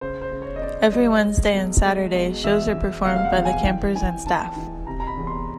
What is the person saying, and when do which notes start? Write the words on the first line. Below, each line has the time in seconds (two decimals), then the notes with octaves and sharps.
Every Wednesday and Saturday shows are performed by the campers and staff.
0.01 C#3 C5
0.21 C5
0.32 C#3
0.42 C#5
0.56 D#5
0.62 C#3 D5
0.92 G3 D#5
1.22 G#3
1.53 E1
1.84 G#3
2.14 B2
2.44 E2 E5
2.74 E2
3.05 F1 F5
3.16 F5
3.25 F#5
3.35 E2
3.45 G#5
3.65 E3 G5
3.96 E3 G#5
4.26 E3 A5
4.56 E3
4.87 C3 A#5
5.00 A#5
5.07 B5
5.17 E2
5.27 C6